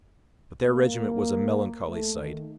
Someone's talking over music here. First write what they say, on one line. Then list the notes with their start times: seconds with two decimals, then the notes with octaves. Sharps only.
But their regiment was a melancholy sight.
0.64 A#3
1.86 A3
2.16 D#3